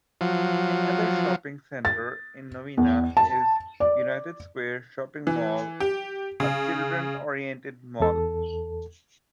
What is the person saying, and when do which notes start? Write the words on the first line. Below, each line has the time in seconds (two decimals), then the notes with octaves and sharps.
Another shopping centre in Novena is United Square Shopping Mall, a children-oriented mall.
0.21 F3 F#3
1.85 A6
2.77 E2
3.17 A5
3.80 D5
5.27 E3
5.80 G4
6.40 C#3
8.00 E2 A4